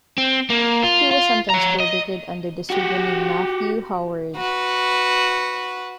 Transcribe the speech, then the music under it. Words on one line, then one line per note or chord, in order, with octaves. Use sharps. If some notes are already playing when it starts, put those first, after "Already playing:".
He was sometimes credited under the pseudonym Matthew Howard.
C4
A#3
F4
F4
C#5 A#5
D#5
F#4 G4
F#4 B4